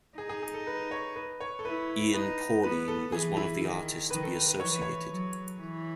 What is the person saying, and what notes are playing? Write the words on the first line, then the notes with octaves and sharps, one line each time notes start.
Ian Paulin was one of the artists to be associated.
D#4 G#4
G#4
G#4
A4
B4
C#5
B4
C#5
A4
E4 B4
D#4 B4
B3 B4
A4
E3 G#4
E4
D#3 E4
D#3 B4
A4
B4
B4
E3 C#5
B4
C#5
F#3
E3